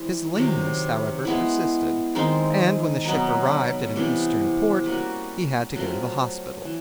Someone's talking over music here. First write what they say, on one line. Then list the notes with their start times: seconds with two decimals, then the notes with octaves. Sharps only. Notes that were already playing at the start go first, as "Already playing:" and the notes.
His lameness, however, persisted, and when the ship arrived at an Eastern port he had to go to the hospital.
Already playing: E3 G3 C4
0.35 C3 D#3 F#3
1.25 G#3 B3 E4
2.15 D#3 G#3 C4 D#4
3.05 B2 F#3 B3 D#4
3.96 C3 E3 G3 B3
4.86 G3 A#3 C#4 F#4
5.76 F#3 A3 C4 F4
6.65 E3